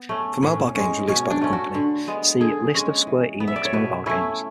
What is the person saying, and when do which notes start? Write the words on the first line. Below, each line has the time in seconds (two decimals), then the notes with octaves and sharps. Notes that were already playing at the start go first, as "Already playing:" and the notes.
For mobile games released by the company, see List of Square Enix mobile games.
Already playing: B3
0.09 A3 C#4
0.43 A2 C#4
0.75 G#3 C#4
1.08 B2 C#4
1.30 D4
1.42 A3 C#4
1.53 F#4
1.74 D3
2.07 G#3 B3
2.41 D3 G#4
2.74 G#3 C#4
3.07 E3
3.40 B3
3.48 E5
3.56 D5
3.65 C#5
3.73 B2 B4
4.06 A3 C#4 E4